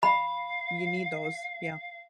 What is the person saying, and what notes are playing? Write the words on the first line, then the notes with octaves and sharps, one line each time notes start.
You need those. Yeah.
F5 B5